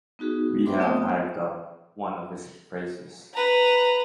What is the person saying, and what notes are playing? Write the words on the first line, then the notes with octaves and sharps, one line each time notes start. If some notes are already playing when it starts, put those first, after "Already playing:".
We have hived up one of his phrases.
B3 D#4 F#4 G#4
C5 E5 G5 B5 C6 D6
A3 B3 C4 G5 A5 D#6
B4 A#5